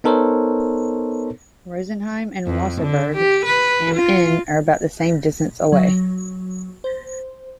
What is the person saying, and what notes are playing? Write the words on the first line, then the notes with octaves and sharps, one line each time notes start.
Rosenheim and Wasserburg am Inn are about the same distance away.
B3 D#4 A4 A#4 C5 C#5
F2
D3
G4
B4
F4
F#3
C5